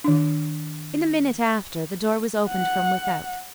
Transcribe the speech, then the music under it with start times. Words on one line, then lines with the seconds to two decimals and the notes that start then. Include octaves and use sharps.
In a minute after, the door was opened from without.
0.04 D#3 D4
2.49 F#5